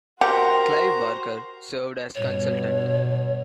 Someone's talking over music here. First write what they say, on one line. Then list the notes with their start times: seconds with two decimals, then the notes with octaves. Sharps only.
Clive Barker served as consultant.
0.21 F#4 G4 A#4 C5 F#5
2.15 G2 B2 C#5